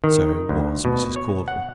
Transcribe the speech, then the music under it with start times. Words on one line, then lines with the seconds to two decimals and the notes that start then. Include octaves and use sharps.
So was Mrs. Caudle.
0.04 D#3
0.49 D2
0.85 B2
1.16 C#5
1.48 F#5